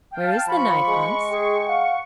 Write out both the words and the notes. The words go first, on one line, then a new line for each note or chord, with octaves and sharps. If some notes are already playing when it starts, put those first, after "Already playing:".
'Where is the knife, Hans?'
F5 G5 A5
F3 B5 C#6
G#3
G#4 G5
F5 F#5